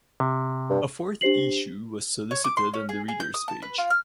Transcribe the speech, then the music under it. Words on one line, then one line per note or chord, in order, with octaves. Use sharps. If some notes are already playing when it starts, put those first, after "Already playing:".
A fourth issue was solicited on the reader's page.
C3
G2
D4 G4 C5 C7 F#7
C#5
D6
C6
C#4
G#4
G#4
G6
D#6
A5
B4
F4
F6